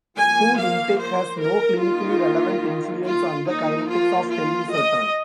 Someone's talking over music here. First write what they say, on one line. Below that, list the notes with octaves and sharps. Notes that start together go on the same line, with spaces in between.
Food intake has no clinically relevant influence on the kinetics of telmisartan.
F3 A#3 G#5
F5
C5
A#4
D#3 A#3 F4
F4
F3 A#3 D#4
F4
F4
D#5